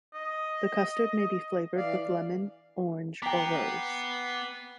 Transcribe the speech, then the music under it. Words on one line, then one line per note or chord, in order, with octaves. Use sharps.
The custard may be flavored with lemon, orange, or rose.
D#5
E3 D5 F5
B3 G5 A#5 D6 C7